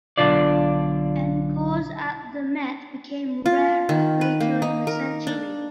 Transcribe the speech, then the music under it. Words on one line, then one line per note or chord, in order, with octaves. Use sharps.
Encores at the Met became rarer later in the century.
B1 B2 D3 D4 F4 D5
F4
D#3
B4
A#3
D#4
A#4
D4